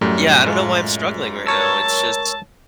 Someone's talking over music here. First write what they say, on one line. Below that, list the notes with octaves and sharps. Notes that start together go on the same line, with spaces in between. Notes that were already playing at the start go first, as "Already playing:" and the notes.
yeah, I don't know why I'm struggling right now. It's just
F#2 A2 F#3 G3 G4
G#3 A3 F4
A#4 C#5 A5 E6